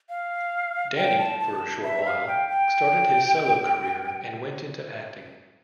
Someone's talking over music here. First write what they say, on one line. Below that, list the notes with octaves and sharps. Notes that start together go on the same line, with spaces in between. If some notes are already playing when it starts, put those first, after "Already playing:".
Danny, for a short while, started his solo career and went into acting.
F5
G5
A5
A5
E5
F5
G5
G5